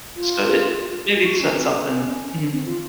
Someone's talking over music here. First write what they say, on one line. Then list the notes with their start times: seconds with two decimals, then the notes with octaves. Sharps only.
So it maybe it's so something Mhm.
0.16 F4
1.16 F4
1.25 F#4
1.41 C#4
1.56 C4
1.80 C#4
2.50 C4
2.66 F4